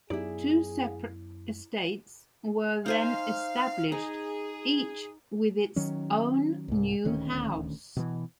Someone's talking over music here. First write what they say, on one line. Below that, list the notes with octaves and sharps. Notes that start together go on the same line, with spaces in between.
Two separate estates were then established, each with its own new house.
F#2 F#3 B3 D#4 E4 G4 G#4 D5
D#4 C5 F5 G#5
D#4 G#4
D#3 F#3 C#4
C2 G#2
D#1 D2 D#3 C#4
B2 E3